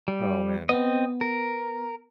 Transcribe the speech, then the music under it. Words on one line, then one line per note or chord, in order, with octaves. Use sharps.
Oh, man.
G3
B3 C4 D#5
A#4